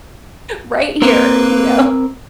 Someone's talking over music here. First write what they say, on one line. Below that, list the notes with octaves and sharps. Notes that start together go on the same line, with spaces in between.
right here." You know?
A#3 C4 A#4 B4